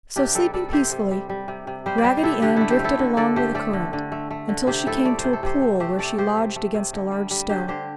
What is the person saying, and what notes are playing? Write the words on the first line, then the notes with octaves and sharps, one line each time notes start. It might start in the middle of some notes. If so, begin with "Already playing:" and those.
So, sleeping peacefully, Raggedy Ann drifted along with the current until she came to a pool where she lodged against a large stone.
C3 D4 G4
G3 A4 D5
G3 A4 D5
C3 G4 A4 C5
C3
G3
G3
C3
C3
G3 G4 C5
D5
G3 G4 C5
C5
C3 E4 A4
D3 D4 G4
A3 E4 A4
G4 C5
A3
E4 A4
D3
D3 A4 D5
A3 G4 C5
A3 A4 D5
D3
D3
A3
A3
D3
C3 G4 C5
A3 E4 A4
A3 D5
C5
C3
A4
C3 G4 C5
A3
A3 G4 C5
C3 A4 D5
C3 G4 C5
A3
A3
C3
D3
G3
G3
D3 G4 C5
D3 G4 C5